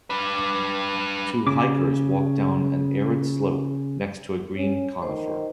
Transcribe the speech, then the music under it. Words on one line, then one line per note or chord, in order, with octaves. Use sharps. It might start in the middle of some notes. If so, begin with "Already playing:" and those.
Two hikers walk down an arid slope next to a green conifer.
D4 B4
C#3 D6
C#4
D#3 C5